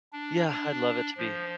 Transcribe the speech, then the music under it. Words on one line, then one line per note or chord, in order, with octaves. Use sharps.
Yeah, I'd love it to be
D4
D4
F3